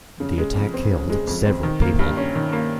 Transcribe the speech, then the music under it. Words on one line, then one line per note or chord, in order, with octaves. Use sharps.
The attack killed several people.
C#3
G#3
F2
C4
C#3
G#3
F2
C4
D#3
A#3
G2
C#4
D#3
A#3